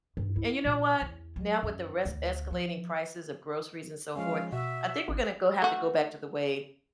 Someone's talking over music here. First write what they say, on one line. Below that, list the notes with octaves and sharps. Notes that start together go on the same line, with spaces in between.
And you know what? Now with the res escalating prices of groceries and so forth, I think we're gonna go have to go back to the way
G2
E4
A#2
E2
F#3
F#2
D2
F3
F3 G#3 C#4 F5
B2 F#4 E5
G#1
A3 F#4